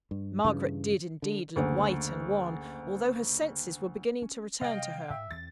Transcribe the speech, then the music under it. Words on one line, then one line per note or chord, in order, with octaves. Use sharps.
Margaret did indeed look white and wan, although her senses were beginning to return to her.
G2
G2 C#3 E3
D3
F#1 D2
C#4
C3 G3 D#5 F5 G5
G#2 E5
E2 E3 C4 A6